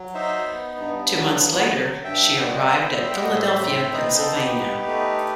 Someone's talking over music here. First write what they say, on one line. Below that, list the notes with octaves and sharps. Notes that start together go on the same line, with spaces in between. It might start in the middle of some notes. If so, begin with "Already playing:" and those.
Two months later, she arrived at Philadelphia, Pennsylvania.
Already playing: F#3
D#4 C5 E5
B3
G2
F#3
B3
F#3
G2 E5 G5
G3 F#5
G5
D#5 F#5
B3 C5 E5
C5 E5
G3 C5 E5
G5
D#5 F#5
A2 C5 E5
C4
D#4 B4 D#5
A4 C5
B3
G4 B4
D#4
A3